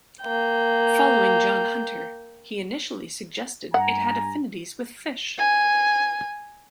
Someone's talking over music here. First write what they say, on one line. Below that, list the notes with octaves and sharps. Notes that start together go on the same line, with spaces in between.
Following John Hunter, he initially suggested it had affinities with fish.
A#3 G5
G2 F#5 G#5 A#5
G#5